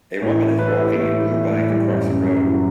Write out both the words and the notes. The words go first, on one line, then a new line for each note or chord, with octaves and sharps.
A woman is walking a blue bike across a road.
A2 C#5
E3
E3 B4
A4
A2 G4
E4
A2 A3
E3
E3
A2
E3 G3
F#2
C#3
F#2
E3 F#3